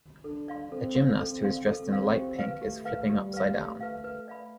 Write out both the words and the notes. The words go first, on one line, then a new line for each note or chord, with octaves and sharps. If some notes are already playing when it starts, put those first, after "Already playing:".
A gymnast who is dressed in light pink is flipping upsidedown.
D4 A4
D5 F5 C6
C4 A4
D5 F5 C6
C4 A4
D5 F5 C6
C4 A4
D5 F5 C6
G4
B4 F5
A3 G4
B4 F5
G3 G4
B4 F5
A3 G4
B4 F5
A3 B4
D5 F5 B5